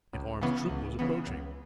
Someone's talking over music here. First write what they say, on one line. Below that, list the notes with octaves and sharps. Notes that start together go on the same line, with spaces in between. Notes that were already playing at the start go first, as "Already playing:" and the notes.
An armed troop was approaching.
C#2
C#3 E3 B3
C#2
C#3 E3 B3
C#2